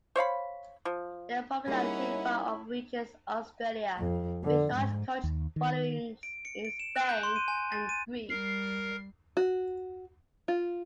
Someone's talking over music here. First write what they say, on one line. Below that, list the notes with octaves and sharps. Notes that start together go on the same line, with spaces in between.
Their popularity far outreaches Australia, with large cult followings in Spain and Greece.
C5 C#5 F5 B5
F3
G3 A#3 C#4 D#4 E4 G#4 F#5
F2
D3
G#2
D#2
D#3
D7
C#7
D7
E7
F#6
G6
C6
D#7
G#5
A6
D#7
G3 A#4 C7
F#4
F4